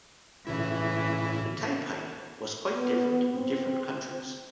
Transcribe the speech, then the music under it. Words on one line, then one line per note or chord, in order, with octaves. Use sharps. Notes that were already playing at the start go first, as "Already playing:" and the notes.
The type-height was quite different in different countries.
A2 C#3 E3 E4
B3
C4